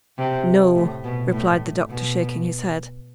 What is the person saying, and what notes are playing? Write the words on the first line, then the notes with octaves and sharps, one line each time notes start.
'No,' replied the Doctor, shaking his head.
C3
A2
B2
A2
B2